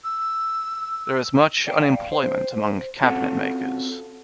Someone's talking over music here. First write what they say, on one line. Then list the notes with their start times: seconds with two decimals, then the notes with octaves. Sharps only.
There is much unemployment among cabinetmakers.
0.03 E6
1.67 D5 F5 G5
2.12 C5
3.02 C4 C#4 F4 F#4 A4 F#5